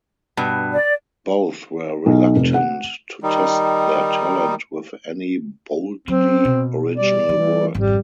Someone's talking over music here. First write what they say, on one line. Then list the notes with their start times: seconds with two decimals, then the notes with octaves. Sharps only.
Both were reluctant to test their talent with any boldly original work.
0.37 G2 B2
0.72 D5
2.06 B1
2.36 F1
2.54 F#5
3.23 D#3 G3 D#4
6.08 F#3 C4
6.45 B2
6.97 G3 D5
7.29 E3 G3
7.75 G#1 F2 G3